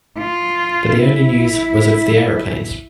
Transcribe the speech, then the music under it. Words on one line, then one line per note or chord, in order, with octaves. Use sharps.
But the only news was of the aeroplanes.
F4
E4